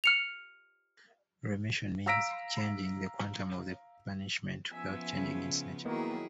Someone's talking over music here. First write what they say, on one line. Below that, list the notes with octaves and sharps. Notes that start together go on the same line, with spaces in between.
Remission: means changing the quantum of the punishment without changing its nature.
F6 C#7 F7
F5 A#5 E6 A#6 B6 D7
F3 B3 C#4 E5 G#5
C#3
D#3 F#3 A#3 B3 E4 G#4 D#5